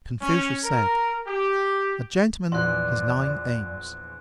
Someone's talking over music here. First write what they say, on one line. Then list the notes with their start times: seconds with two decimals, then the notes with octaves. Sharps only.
Confucius said, A gentleman has nine aims.
0.22 C#4
0.64 A#4
1.28 G4
2.52 A#1 E2 D5 C6 F#6